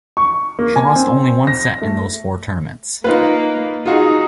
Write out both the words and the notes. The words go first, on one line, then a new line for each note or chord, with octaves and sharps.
She lost only one set in those four tournaments.
C#6
A#3
G#5
C4
A#6
A3
A#3 D#4 F4 B4
D#4 F4 F#4 G#4